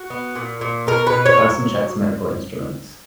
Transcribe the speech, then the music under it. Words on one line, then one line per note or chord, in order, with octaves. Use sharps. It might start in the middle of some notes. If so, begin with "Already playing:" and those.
A person checks medical instruments.
Already playing: F#4
B3
A#2
A#2
B2 A#4
B4
B2
C#5
F#3